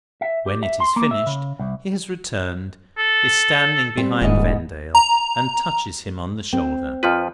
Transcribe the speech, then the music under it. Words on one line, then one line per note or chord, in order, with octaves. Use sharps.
When it is finished, he has returned, is standing behind Vendale, and touches him on the shoulder.
E5
G4
E5
C6
A#3
E5
C#3
C2
A4
G3 C4
D#1 G#2 B3 D#5
A#5
C4
F2 F3 F4 B4 F6